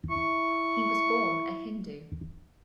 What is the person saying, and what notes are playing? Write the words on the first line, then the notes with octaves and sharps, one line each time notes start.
He was born a Hindu.
E4 C#6